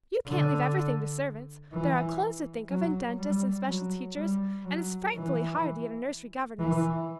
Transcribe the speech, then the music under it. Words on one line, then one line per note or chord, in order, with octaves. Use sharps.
You can't leave everything to servants--there are clothes to think of, and dentists, and special teachers, and it's frightfully hard to get a nursery governess.
D3
E3
F#3
G3
F#3
G3
F#3
E3
E3